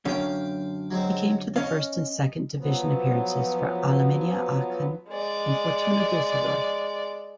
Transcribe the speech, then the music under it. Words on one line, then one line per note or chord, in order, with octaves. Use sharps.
He came to first and second division appearances for Alemannia Aachen and Fortuna Dusseldorf.
F#2 D3 C#4 F5 G5
F#3 G#3 C4
C#4 D#5 F5
F3 F#3 B3
G#3 D5